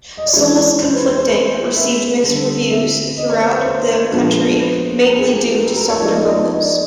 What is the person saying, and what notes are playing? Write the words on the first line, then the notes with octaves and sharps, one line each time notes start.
"Souls Conflicting" received mixed reviews throughout the country, mainly due to the softer vocals.
D#5
D5
E3 G#3 C#4 E4 C#5
C5
B4
C5
C5
B4
E5
D3 G3 C4
E5
D#5
C#5
C5
B4
C5
A#2 F3 G#3 B3 D4
B4
A#4
G#4
G4
F#4
G4
A4
A#4
C#5
F3 G#3 B3 D#4 D5
D#5
D5
D#5
D5
D#5
D5